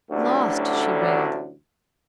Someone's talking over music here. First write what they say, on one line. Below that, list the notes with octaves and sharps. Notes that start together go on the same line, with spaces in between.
"Lost!" she wailed.
A1 D2 D3 F#3 G3